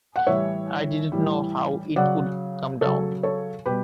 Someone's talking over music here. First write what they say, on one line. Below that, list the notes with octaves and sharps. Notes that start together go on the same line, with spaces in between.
I didn't know how it would come down.
F#5
A2 E3 G3 C#5 E5
A2 E3 G3
C#3 F#3 D5 F#5
C#3 F#3 A4 C#5
A4 C#5
B2 G3 G4 B4